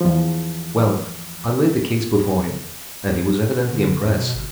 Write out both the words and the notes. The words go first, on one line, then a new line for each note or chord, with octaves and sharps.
Well, I laid the case before him, and he was evidently impressed.
E2 F3
D3
F2
B2
G1